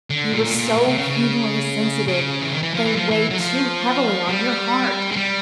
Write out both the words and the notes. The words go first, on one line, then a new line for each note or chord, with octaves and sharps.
You were so keenly sensitive--they weighed too heavily on your heart.
D3
A#2
A2
A#2
C3
B2
C3
C#3
C#3
C#3
E3
D#3
E3
F3
E3
F3
E3
F#3
F3
G3
G#3
G3